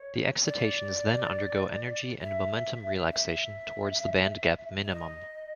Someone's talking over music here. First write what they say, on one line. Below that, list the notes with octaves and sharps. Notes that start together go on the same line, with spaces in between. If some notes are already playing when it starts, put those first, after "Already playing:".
The excitations then undergo energy and momentum relaxation towards the band gap minimum.
Already playing: C#5
D5
E5
E5
E5
D#5